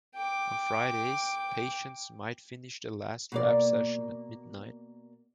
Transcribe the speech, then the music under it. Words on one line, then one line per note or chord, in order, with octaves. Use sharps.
On Fridays, patients might finish their last rap session at midnight.
G5 D6
B2 A#3 D5